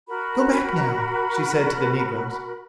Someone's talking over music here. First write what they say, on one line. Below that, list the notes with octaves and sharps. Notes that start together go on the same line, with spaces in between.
"Go back now," she said to the negroes.
F#4 A#4 B5